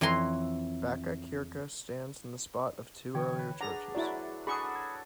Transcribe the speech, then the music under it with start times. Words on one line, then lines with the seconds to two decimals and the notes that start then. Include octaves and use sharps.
Backa Kyrka stands in the spot of two earlier churches.
0.01 F2 E3 C#5 A#5 C6
3.14 D3 E3 C#5 G5
3.39 B4
3.61 D4 G#4 F#5 A#5
3.95 F#3 E4 F#4 D5
4.47 D4 F#4 G#4 A4 B5 C#6 D#6
4.76 G#6